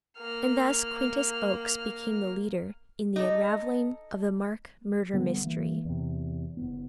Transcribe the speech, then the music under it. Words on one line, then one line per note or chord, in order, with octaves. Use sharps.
And thus Quintus Oakes became the leader in the unravelling of the Mark murder mystery.
A#3 F6
D#4 A4
D3 G3 B3
E3 A#3
E2 C3
F#1 B3